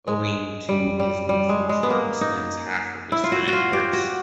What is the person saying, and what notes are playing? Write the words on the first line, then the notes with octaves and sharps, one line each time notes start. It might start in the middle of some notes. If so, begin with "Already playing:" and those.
Owing to this new function, he spends half of his time in Paris.
G#3
G3
G3
G3
G#3
G#3
B3
A#3
D#4
E4
F4
F#4
F#4
F4
G4
F#4